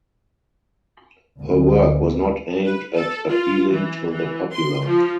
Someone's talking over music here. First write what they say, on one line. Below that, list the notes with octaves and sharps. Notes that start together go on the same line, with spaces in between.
Her work was not aimed at appealing to the popular.
D2
B4
A4
F4
E3
E3
C6
F3